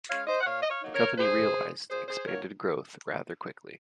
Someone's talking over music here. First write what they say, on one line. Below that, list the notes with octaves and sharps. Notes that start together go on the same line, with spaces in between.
The company realized expanded growth rather quickly.
G#3 C#4 C#5 F5
C5 D#5
F#5
A#2 C#5 F5
D#5
C#5 F5
F#3 A#3 D#4
A#4 C#5
A#2 G#4 C5
G#3 C#4
A#2 G#4 C5
G#4 C5
F#3 A#3 C#4 A#4 C#5